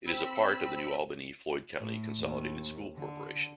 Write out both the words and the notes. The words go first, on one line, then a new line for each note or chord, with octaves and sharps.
It is a part of the New Albany-Floyd County Consolidated School Corporation.
C4 B5 E6
A2
D#2
D3